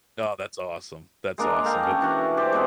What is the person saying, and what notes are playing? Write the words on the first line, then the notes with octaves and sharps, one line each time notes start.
Oh, that's awesome, that's awesome, but
G#3 A#3 D4 A#5
A4 F5 G5 A#5
C#4
E3 D4 F#4
G4 C5 D5
G#3 B3 C4